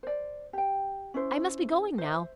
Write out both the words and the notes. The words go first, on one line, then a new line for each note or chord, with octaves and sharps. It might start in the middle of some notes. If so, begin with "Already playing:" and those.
I must be going now.
C5 D5
G4 G5
C#4 E4 C5
C5 E5